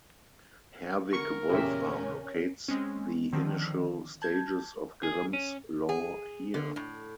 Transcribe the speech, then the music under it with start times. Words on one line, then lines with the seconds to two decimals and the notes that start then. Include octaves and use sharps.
Herwig Wolfram locates the initial stages of Grimm's Law here.
1.13 D3 A#4 C#6
1.50 E2 A#2 C#3 C#4 G4 E5
2.68 G#3 C4 C#4
3.33 D3 D#3 F3 C4
4.22 A5 G6 G#6
5.03 G#4
5.33 C#4
5.89 G#4
6.54 D3
6.76 A2